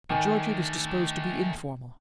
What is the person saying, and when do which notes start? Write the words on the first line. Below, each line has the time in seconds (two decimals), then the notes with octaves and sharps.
But Georgie was disposed to be informal.
0.10 D#3 A3 D4 G#5